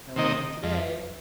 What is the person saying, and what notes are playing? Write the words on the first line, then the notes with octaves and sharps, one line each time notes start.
No rain to-day.
C3 D#3 A#3 D#4
F2